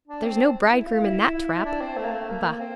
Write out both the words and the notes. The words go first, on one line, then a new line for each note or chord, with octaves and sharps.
"There's no bridegroom in that trap."
D4
C4
E4
F4
E4
E4
E4
D4
C4
A3
A#3
A3
A#3
C4